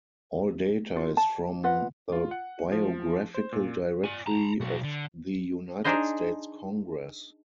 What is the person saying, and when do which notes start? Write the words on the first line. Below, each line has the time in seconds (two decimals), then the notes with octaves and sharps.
All data is from the "Biographical Directory of the United States Congress".
0.96 F4
1.17 A5
1.64 F4 B4 D#5 F#5
2.12 F4
2.31 F#5
2.72 F3
3.34 C5
3.52 A#2
4.04 D5 G#5
4.27 A5 A#5
4.60 B1 F#4
4.84 D3
5.84 D4 D#4 G#4 C5 D#5